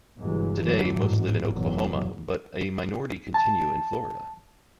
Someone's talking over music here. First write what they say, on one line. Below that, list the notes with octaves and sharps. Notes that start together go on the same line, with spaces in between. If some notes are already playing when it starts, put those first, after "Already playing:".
Today most live in Oklahoma, but a minority continue in Florida.
G1 E2 C3 E3 F#3 G#3
D3 E3 F#3 A3
A1 F2 G#2
F#1 B1 E2 F#3
A5